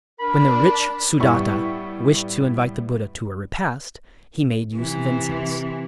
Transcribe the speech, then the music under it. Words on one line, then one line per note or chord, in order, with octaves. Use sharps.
When the rich Sudatta wished to invite the Buddha to a repast, he made use of incense.
D4 A#4 B5
A2 G3 B3 E5 C#6
C3 E3